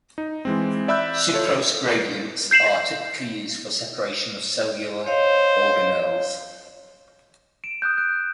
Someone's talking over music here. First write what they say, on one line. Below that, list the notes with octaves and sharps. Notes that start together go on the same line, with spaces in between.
Sucrose gradients are typically used for separation of cellular organelles.
D#4
E3 G#3 C4
D5 E5 B5 E6 F#6 G6
F4 A4 C#5
G6 C7 E7 F#7
C5 C#5 D#5 F5
D7 E7
D#6 F#6 G6
F#6 D7